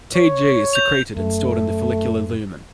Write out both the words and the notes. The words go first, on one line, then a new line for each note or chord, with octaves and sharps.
Tg is secreted and stored in the follicular lumen.
C#5
G6 F7
F#2 A3